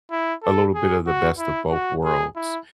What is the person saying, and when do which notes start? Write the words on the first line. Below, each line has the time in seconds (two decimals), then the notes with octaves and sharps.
a little bit of the best of both worlds?
0.11 E4
0.43 A4
0.75 G#4
1.07 F#4
1.39 E4
1.71 F#4
2.04 G#4
2.36 E4